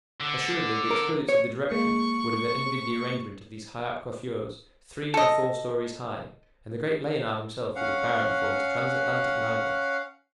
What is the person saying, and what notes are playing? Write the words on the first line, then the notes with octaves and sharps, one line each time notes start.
Assuredly, the exquisites of the Directory would have envied the arrangement of these high-art coiffures, three and four stories high, and the great Leonard himself would have bowed before his transatlantic rival.
D3
A#4
C#5
G#3 A#3 C#6
A4 D#5
C#4 F5 F#5